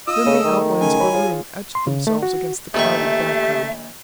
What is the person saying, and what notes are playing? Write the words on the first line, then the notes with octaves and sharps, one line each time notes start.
Then the outlines of a room etched themselves against the clouded background.
F4 D#5 D#6 E6
C#3 A3 G#4
D#3
C#3 A3 G#5
C#5 A#5 B5
F4 G#4 C#5
C6
C#3
A3
F#4
A#1 D#3 A3 G4 E5 C#6